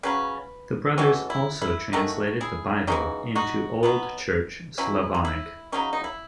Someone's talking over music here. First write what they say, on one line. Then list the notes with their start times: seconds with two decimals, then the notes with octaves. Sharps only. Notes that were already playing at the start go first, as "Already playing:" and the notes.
The brothers also translated the Bible into Old Church Slavonic.
0.03 C#3 F#3 C#4 B4
0.98 E3 G#3 C#4 F#4 A4
1.30 E4
1.62 E4
1.93 D#3 A3 C#4 D#4 F#4
2.41 E4 G#4
2.87 C#3 E3 G#3 D#4 F#4
3.35 D#4 F#4
3.83 B2 F#3 B3
4.78 B2 F#3 C#4 E4
5.14 D#4
5.25 E4
5.72 C#3 F#3 C#4 D#4
5.93 D#4
6.04 E4